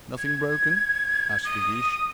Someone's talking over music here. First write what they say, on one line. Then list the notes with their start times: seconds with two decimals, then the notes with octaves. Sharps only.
"Nothing broken?" asked De Guiche.
0.18 G#6
1.45 D#6